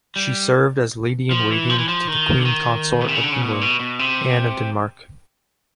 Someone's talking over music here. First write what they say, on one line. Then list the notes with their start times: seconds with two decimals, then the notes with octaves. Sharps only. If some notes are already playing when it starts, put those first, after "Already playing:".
She served as lady-in-waiting to the queen consort of England, Anne of Denmark.
0.16 G3
1.31 F3
1.50 E3
1.69 F3
1.79 E3
1.88 F3
2.07 D#3
2.39 D3
2.45 D#3
3.01 B2
3.08 C3
3.15 C#3
3.23 D3
3.32 C#3
3.42 B2
3.52 A#2
3.61 B2
3.80 B2
3.99 C3